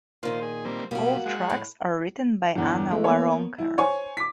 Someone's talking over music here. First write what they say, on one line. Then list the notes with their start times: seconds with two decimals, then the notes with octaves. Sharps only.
All tracks are written by Anna Waronker.
0.23 A#2 D#3 F4 C5
0.42 G#4
0.65 G3 A#3 C4
0.91 B2 G3 A#3 F#4
1.26 G#3 F#5
1.50 A2
2.56 G1 E2
2.91 G#3 A3
3.04 A#3 B3 C#5
3.58 E4
3.78 C5 C#5 G#5 C#6
4.17 D6 B6